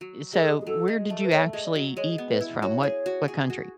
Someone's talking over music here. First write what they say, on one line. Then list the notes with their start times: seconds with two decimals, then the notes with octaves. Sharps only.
so where did you actually eat this from? What what country?
0.01 F#3
0.33 G#3 G#4
0.40 A4
0.48 G#4
0.61 G#4
0.66 F#3 A4
0.88 G#3
1.10 A3
1.18 A4
1.24 B4
1.31 A3 C#5
1.53 G#3
1.64 D5
1.75 F#3
1.97 G#3 C#5
2.18 B3
2.30 B4
2.41 E4
2.62 F#4 C#5
2.83 G#4
3.06 F#4
3.28 G#4
3.50 F#4